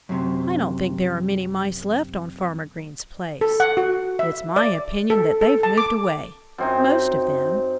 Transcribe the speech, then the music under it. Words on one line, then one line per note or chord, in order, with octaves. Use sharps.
I don't think there are many Mice left on Farmer Green's place. It's my opinion that they've moved away--most of them.
F#2 C3
A4
F#5
F#4
E5
D5
A4
A4
A5
D6
F#2 C4 D#4